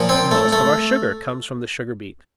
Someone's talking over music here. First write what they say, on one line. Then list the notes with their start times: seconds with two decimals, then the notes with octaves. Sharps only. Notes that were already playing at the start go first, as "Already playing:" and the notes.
Most of our sugar comes from the Sugar-beet.
Already playing: A#2 F3
0.09 C4
0.31 A3
0.53 A3